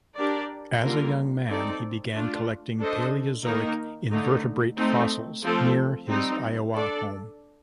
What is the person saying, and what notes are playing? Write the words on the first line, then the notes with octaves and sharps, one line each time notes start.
As a young man, he began collecting Paleozoic invertebrate fossils near his Iowa home.
D4 G4 A#4 D5
D3 G3 A#3 F4 A#4
C4 D#4 A4 D5
A3 D4 F4
D4 A4 C5 D#5
D#3 A#3 D#4 A#4
D3 A3 D#4
A3 C4 D#4
F3 A3 C4 F4 A4
G3 C4 D#4
D4 A4 D5